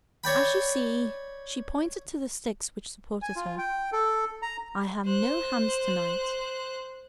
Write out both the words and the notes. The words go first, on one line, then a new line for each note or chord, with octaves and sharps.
As you see"--she pointed to the sticks which supported her--"I have no hands to-night.
C#5 D5 G5 B5
G#5
F4
G5
A4
A#5
C5 F#6